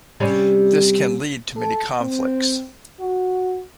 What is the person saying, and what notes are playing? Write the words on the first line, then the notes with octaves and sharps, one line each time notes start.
This can lead to many conflicts.
C3 G3 C#4
A4
C4
F#4